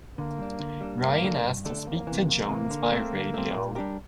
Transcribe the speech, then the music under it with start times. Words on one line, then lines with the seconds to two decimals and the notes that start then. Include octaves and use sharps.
Ryan asked to speak to Jones by radio.
0.18 D3 A#3
0.39 G3 D4
0.60 D3
0.81 G3 D4
1.02 G2 A#3
1.24 D3 A3 D4 A4
1.45 G2
1.65 D3 A3 D4 A4
1.86 F2 A#3
2.07 C3 E3
2.28 F2 A#3
2.49 C3 E3
2.71 D3
2.92 A3 C4
3.12 D3
3.34 A3 C4
3.55 A#2
3.75 G3 D4 G4 A#4